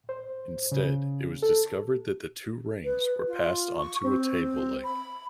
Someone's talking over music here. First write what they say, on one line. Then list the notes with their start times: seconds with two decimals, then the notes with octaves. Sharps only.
Instead, it was discovered that the two rings were passed onto a table leg.
0.09 C5
0.72 C#3
1.42 A4
2.84 B4
3.27 F4
3.77 C#6
4.03 C4
4.83 B5